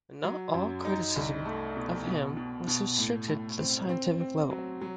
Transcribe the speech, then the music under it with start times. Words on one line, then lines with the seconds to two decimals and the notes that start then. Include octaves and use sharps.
Not all criticism of him was restricted to the scientific level.
0.24 F#3
0.54 F#2
0.85 D#4
1.16 C2
1.46 A3
1.77 B2
2.07 B2
2.37 B2
2.67 B2
2.98 A2
3.28 A2
3.59 C4
3.89 C4
4.20 C4
4.51 F#3
4.81 F#3